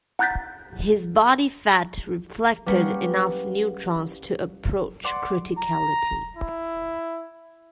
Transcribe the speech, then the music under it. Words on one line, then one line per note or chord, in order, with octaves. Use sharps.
His body fat reflected enough neutrons to approach criticality.
F#5 A#5 F#6 G6 A6 B6
G3 A#3 C#4 B4 F#5 G5
D5 F#5 C6 D6
A#5
E4